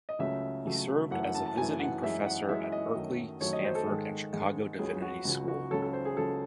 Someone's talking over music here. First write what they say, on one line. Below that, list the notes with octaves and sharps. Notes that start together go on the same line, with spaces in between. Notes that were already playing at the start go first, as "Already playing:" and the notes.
He served as a visiting Professor at Berkeley, Stanford and Chicago Divinity School.
D#5
C#2 C#3 F#3 A3 E5
C#2 C#3 F#3 A3
F#2 E3 A3 F#5
F#5
A5
A5
F#2 E3 A3 G#5
F#5
F#2 E3 G#3 E5
F#5
F#2 E3 G#3 E5
D#5
F#2 D#3 F#3 A3
F#2 D#3 F#3 A3 C#5
D#5
C5
A4
G#2 D#3 G#3
G#2 D#3 G#3
C#2 C#3 F#3 G#4
F#4
C#2 C#3 F#3
F#4
C#2 C#3 F#3 A4
A4
C5
G#4
C#2 C#3 F#3 A4